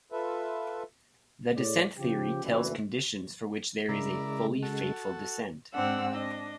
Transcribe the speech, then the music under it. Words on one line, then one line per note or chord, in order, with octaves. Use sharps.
The descent theory tells conditions for which there is a fully faithful descent.
F4 A4 B4 E5
A2 G#4 C#5 D5
C#3 F3 G4
F#1 D2 E3
C#3 G#3 E4 A#4 D5
F#4 A4
G#2 C4 D4 F#5 E6
D4 D#5